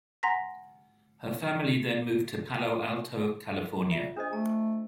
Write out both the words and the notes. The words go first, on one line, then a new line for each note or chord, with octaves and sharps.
Her family then moved to Palo Alto, California.
F#5 G#5 A#5 C6 A#6 B6
F4 E5
D4 G#4 C5 D#5
A3 A#5